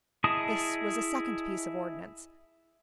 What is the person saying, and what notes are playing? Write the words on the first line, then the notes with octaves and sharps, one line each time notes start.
This was a second piece of ordnance.
E4 G#4 D#5 A5 D#6